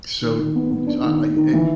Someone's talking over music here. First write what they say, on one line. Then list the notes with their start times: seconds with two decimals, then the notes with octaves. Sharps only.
So n I e eh
0.22 D#3
0.39 D#3
0.55 B3
0.71 B3
0.87 D4
1.04 D#3
1.20 D#3
1.37 D#3
1.53 E3